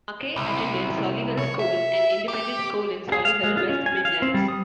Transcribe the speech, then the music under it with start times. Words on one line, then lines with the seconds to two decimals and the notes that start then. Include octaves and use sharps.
MacKay attended Solihull School, an independent school in Solihull, West Midlands.
0.36 C2
1.38 C#5
1.59 E5
2.28 G4
3.12 G#4
3.25 F5
3.43 G#3
3.57 F4
3.69 C#4
3.86 G#5
4.05 F5
4.22 C4
4.34 G3
4.48 D#6